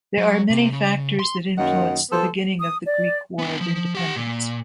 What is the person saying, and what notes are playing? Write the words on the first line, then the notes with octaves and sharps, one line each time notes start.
There are many factors that influence the beginning of the Greek War of Independence.
F#3
C3
C#3
C6
F#2 D#3 A#3 F#5
F3 B3 A4 C5
D#6
D5
B3 D4
F3
G4 F#5
A#2